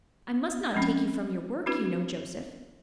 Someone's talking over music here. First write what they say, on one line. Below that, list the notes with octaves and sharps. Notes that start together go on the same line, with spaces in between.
"I must not take you from your work, you know, Joseph."
F3 G#3 A3 C4 C#4
C4 D4 E4 F#4 B4